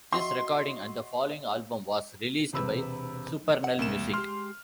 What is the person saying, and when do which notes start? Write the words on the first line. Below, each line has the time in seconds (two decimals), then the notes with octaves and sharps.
This recording and the following album was released by Supernal Music.
0.12 F#4 D#5 E5 C6
2.53 E1 C3 B4 B5 E6
3.64 F#5
3.79 C2 C#4 A#4 E7
3.98 E2 A#3
4.14 G#3 G4 C6 F6